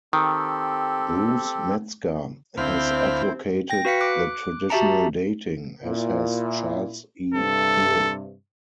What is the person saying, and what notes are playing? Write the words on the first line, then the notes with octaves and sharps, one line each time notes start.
Bruce Metzger has advocated the traditional dating, as has Charles E. Hill.
D#3 C4 G4 A4
D2 C4 E4 C5 F5 B5
G5 A#6
F#4 B4 F5 B6 C#7
D6 F#6
F#4 G4 E5 A5 A#5
A#2 E4
G2 C3 A4